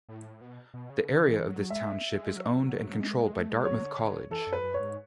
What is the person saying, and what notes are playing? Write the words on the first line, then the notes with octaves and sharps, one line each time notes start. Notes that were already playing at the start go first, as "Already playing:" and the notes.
The area of this township is owned and controlled by Dartmouth College.
A2
B2
B2
C#3
D3
E3
F#3
G#3 E5
G#3
F#3
E3
F#3
G#3
G#3
A3
G#3
F#3 C#5
D3
D3
E3 A4
F#2
B4
F#2
C#5
G#2